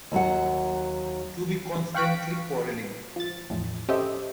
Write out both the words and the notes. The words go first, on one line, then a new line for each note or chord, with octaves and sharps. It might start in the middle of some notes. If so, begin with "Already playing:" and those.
To be constantly quarrelling.
D#2 F#3 F#5
F5 G5 C#6 F#6 B6 D7
F3 A6
E2 A2 F3
C#4 G4 A4 C5 D#5 E5